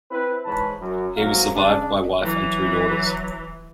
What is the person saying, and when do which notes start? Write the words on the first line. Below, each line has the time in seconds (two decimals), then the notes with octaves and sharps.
He was survived by wife and two daughters.
0.11 C4 E4 B4
0.46 G#2 E3 B4 C#5 A5 B5
0.81 F#2
1.17 G#2 C3 F#3 A#3 F5 A#5
1.55 C#3 D4
2.23 E3 F#3